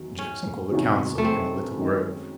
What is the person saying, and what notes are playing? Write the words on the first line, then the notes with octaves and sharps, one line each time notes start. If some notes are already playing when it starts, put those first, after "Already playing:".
Jackson called a council in a little grove.
Already playing: E2 D#3 F#3
C#4
E2 C3 D#3 F#3
A3
C4
F#2 D#3 G#3 D#4